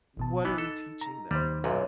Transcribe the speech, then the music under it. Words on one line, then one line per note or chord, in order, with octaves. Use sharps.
"What are we teaching them?"
G#1 B2 A5
E3 B3 D#4
A4
A#5
D#2 G3 C5
B1 F#2 A#2